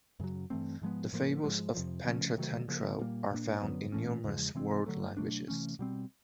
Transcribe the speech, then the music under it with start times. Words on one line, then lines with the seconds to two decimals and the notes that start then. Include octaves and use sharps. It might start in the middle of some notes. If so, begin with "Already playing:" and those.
The fables of "Panchatantra" are found in numerous world languages.
0.20 F#2 C#3 F#3
0.50 G2 E3 A3 C4
0.81 G#2 F3 G#3 B3
1.13 A2 F3 A#3
1.44 G#2 F3 G#3
1.75 F2 C3 F3
2.05 C#3 F3 A3 C#4
2.37 C3 D#3 F#3 A3
2.68 C#3 F3 A#3
2.99 A#2 G3 A#3
3.31 A#2 F#3 A#3 D4
3.61 F#2 D3 F#3 B3
3.92 A2 E3 A3 C#4
4.24 E2 C#3 F3 G#3
4.55 C3 E3 G#3 C4
4.86 D3 F#3 A3
5.17 B2 F#3 A3 D4
5.48 C3 E3 A3 C#4
5.79 B2 G3 C4